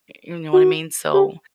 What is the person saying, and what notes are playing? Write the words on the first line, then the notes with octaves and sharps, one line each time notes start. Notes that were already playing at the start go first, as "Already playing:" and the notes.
Eh, you know what I mean? So
F#4
G4